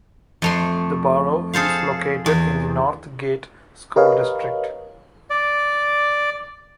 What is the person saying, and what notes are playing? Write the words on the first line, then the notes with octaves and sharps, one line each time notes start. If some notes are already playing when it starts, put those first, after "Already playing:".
The borough is located in the Northgate School District.
F2 A3 C6
G#4 A4 C5 F5
E2
G4 A#4 B4 C#5 D#5 F5
D5